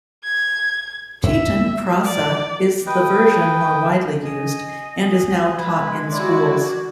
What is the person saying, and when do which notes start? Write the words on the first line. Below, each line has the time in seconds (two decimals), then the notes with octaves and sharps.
"Tetun Prasa" is the version more widely used, and is now taught in schools.
0.24 G#6
1.24 E5
2.04 D5
2.87 B4 D#5 G5
4.20 D#5 G#5
4.97 G#4
5.57 G#3 B4 G#6
6.10 E4 F#4 D5